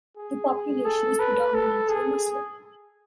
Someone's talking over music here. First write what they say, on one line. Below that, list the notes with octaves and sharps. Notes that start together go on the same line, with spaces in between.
The population is predominantly Muslim.
G#4
G#4
A4
B4
A4
G#4